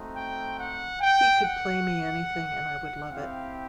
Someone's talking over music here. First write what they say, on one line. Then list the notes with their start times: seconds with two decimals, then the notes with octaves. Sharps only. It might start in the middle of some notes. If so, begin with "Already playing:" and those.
He could play me anything, and I would love it.
Already playing: A3 C4 D#4 F#4
0.16 G5
0.58 F#5
1.01 G5
1.42 F#5
3.10 C4 E4 G4 F5